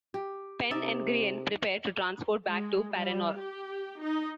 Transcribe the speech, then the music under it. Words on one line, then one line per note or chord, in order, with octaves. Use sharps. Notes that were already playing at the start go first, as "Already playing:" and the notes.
Pen and Grianne prepare to transport back to Paranor.
G4
C3 D#4 D5 E5
G#3
G3
G4
D#4